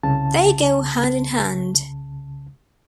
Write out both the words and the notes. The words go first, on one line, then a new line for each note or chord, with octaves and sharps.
They go hand-in-hand.
C2 C#3 A5